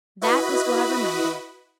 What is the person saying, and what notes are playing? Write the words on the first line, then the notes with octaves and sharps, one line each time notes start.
That is what I remember.
E4 F#4 B4 D#5 B5